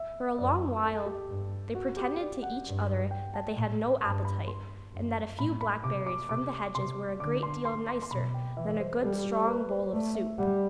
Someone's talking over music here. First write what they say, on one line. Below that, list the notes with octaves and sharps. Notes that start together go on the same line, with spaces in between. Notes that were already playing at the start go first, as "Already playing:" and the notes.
For a long while whey pretended to each other that they had no appetite, and that a few blackberries from the hedges were a great deal nicer than a good strong bowl of soup.
Already playing: E5
F#2 D5
A4
G4
G2
F#4
G4
D5
F#5
G2
G5
A5
A2
G2 A5
B5
C6
F#2
A2 B5
B5
C3 D6
D6
C3 D6
C3 C6
D3 D6
C6
C6
C6
C6
B2 B5
G5
E3 E5
C5
G3 A4
G4
G4
A4
B4
C5
C5
A3 D5
E5
G3 F#5